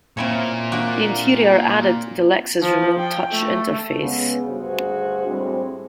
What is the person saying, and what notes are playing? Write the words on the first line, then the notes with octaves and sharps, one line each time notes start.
The interior added the Lexus Remote Touch interface.
A#2 C4 E4 C#5
A#3 D4 F#4
F3
G5
A3
C#3 G#3 B3
D2 G2 F#4 G#4 C5
A2 G3 G#3 C4